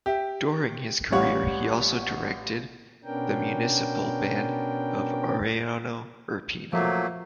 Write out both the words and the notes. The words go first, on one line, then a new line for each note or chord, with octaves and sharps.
During his career he also directed the municipal band of Ariano Irpino.
G4 E5
A1 G3 C#5 F5 F#5 C#6
B2 B3 C#4 D4 A#4 G5
F3 F#3 A3 A#3